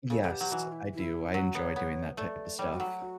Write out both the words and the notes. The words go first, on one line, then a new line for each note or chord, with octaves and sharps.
Yes, I do. I enjoy doing that type of stuff.
C#3 A4
B2 A4
G4
F#3
E3 F#4
E4
E4
F#3 F#4
B3 C#5
B3
A3 D5
G3 C#5
F#4
F#3
F#4